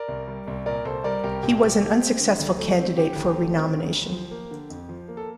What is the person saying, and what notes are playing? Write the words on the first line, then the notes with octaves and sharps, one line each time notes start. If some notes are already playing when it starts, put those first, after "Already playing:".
He was an unsuccessful candidate for renomination.
Already playing: A#4 D5
C2
G3
C2
A#2 A#4 D5
C2 A4 C5
G3 A#4 D5
C2 G4 A#4
A#2 G4
C2 G4
A3 G4
C4
D3
D2
A3
C4
D3 G4
D2
A3
C4
D3
D2
F3
A#3
D3
F2
F3
A#3
A4